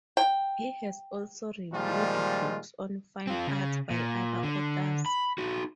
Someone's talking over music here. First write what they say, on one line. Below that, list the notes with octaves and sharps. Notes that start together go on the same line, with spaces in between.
He has also reviewed books on fine arts by other authors.
G5
A#2 D#3 F3 G3 G#3 F4
C4 F4
C#3
A#2
D3
B5
D#4 F#4